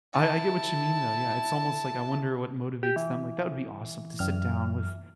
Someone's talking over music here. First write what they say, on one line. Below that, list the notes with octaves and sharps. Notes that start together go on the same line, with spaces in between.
I I get what you mean, though, yeah, it's almost like I wonder what motivates them, like, that would be awesome to sit down with
E4 A5
G4
E3
F#2 F6